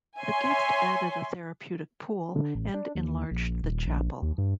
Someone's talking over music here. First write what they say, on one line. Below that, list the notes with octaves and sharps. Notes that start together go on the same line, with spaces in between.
The gift added a therapeutic pool and enlarged the chapel.
C#5 E5 G#5 C6
D3
A1
D4
D#2
A#1
D#1
A#1
D#2
G2